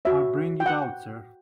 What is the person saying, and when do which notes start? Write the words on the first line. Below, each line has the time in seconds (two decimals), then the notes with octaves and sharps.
I will bring it out, sir.
0.05 F#4 C#5 E5
0.60 G5
0.66 F#5